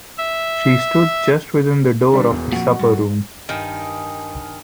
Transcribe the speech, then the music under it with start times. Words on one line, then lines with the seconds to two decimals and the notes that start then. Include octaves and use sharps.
She stood just within the door of the supper-room.
0.18 E5
2.12 D3 G3 D4
2.30 E1 E2
2.52 F2 A#2 F#4
2.79 G2
3.49 G2 D#3 G#5